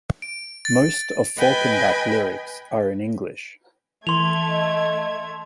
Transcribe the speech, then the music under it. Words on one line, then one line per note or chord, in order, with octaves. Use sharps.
Most of "Falkenbach" lyrics are in English.
D7
A6
B4 D#5 G5 G#5 B5
E3 A3 C6 G#6 F7
D#5